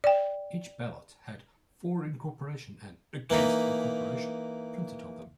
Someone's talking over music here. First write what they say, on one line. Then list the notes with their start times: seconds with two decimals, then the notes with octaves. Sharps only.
Each ballot had "For incorporation" and "Against incorporation" printed on them.
0.04 D5 G5
3.30 E3 A#3 D#4 B5